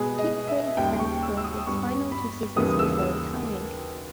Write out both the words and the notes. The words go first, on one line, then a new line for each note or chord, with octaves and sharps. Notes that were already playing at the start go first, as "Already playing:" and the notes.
He played defence for his final two seasons before retiring.
Already playing: B2 G#3 B3 G#4
D#5
E5
D#2 C#3 G3 G5
C#6
E6
E6
D#6
G2 G3 B3 C#6
B5
D#2 C#3 E3 G3 A#3 D#6
E6